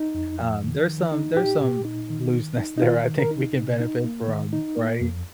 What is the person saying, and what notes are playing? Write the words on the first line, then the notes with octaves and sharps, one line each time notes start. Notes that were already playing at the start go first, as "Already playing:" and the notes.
um, there's some there's some looseness there I think we can benefit from, right?
Already playing: D#4
F2
F3
D#3
D#3
D#4
A#2 G4
A#2
D#4
D#3
D#3
D#4
D#4
D#3 F4
D#3
A#4
D#4
C3
D#4
A#3
D#3
D#4
A#3
F2